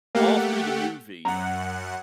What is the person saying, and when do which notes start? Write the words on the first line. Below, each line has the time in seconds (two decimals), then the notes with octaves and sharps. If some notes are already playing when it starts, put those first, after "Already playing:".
all through the movie,
0.15 A3 A#3 G4 F#5
1.25 F#2 F#5 A#5